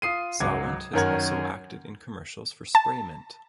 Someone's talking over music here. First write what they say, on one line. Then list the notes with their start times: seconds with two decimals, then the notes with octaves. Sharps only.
Sawant has also acted in commercials for Spraymint.
0.02 F4 D#6 C7 D#7
0.40 C#2 G#2 F#3 D6 G#6
0.93 F#2 D#3 C#4 A#4 F#5 G#6
2.75 A5